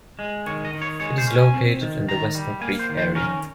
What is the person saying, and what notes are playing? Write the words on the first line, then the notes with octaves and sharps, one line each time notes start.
It is located in the Weston Creek area.
G#3
D#3 C#5
D#5
D#3
C#5
G#3 C#5
C5
C#4
G#5
C4
D#3
D#3 A#5
G3
A#3 G#5
C5
D#3
C5
C#4 A#4